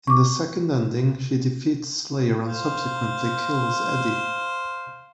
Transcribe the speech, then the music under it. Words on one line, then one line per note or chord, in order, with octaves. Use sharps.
In the second ending, she defeats Slayer and subsequently kills Eddie.
C#6 D6
C5 F5